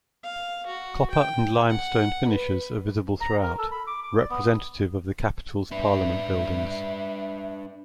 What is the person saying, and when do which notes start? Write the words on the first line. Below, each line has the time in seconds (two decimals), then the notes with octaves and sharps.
Copper and limestone finishes are visible throughout, representative of the capital's Parliament Buildings.
0.23 F5
0.66 F#4
1.11 G5
1.70 F#5
2.28 B4
3.21 A#5
3.42 A#4
3.58 A4
3.71 B5
3.87 D6
4.03 D6
4.17 D5
4.30 B3
5.71 D4 B4 E5